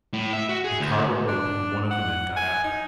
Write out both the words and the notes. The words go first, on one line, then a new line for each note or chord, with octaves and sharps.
The car door opened, and one of the men got out.
A2
E5
F#4
G#4
D2
D4
F#5
G#5
D#4